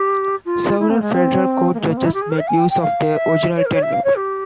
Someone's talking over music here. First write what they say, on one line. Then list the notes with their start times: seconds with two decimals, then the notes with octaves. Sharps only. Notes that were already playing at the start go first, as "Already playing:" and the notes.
Several Federal Court judges made use of their original tenure.
Already playing: G4
0.45 F4
0.79 E4
0.90 C4
0.95 A#3
1.01 G#3
1.12 C4
1.74 A#3
1.79 G#3
1.88 A#3
1.97 C4
2.05 E4
2.13 G4
2.21 G#4
2.30 A#4
2.38 E5
2.48 G#5
2.58 G5
2.70 G5
2.81 F5
3.15 E5
3.56 C#5
3.65 A#4
3.73 C#5
3.82 E5
3.92 F5
4.04 C#5
4.15 G4